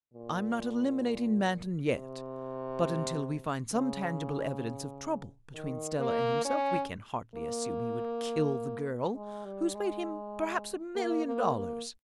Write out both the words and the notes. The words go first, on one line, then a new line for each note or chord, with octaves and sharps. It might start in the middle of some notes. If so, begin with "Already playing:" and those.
I'm not eliminating Manton yet, but until we find some tangible evidence of trouble between Stella and himself we can hardly assume he would kill the girl who's made him perhaps a million dollars.
A#2
C3
C#3
D#3
A#3
C#4
A#3
G#3
G3
G#3
A#3
A#3
A#3